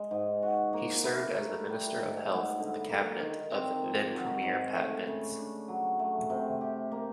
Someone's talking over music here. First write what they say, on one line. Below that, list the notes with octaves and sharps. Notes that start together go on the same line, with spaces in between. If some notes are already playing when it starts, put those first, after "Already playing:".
He served as the Minister of Health in the cabinet of then-Premier Pat Binns.
Already playing: G#3
G#2
F#4
A#3
E4
A3
G3
G#2
B3
D3
A#3
D#3
C4
F3
F#3
G#2
A3
C#3
D4
F#3
A3
C3
G4
A#3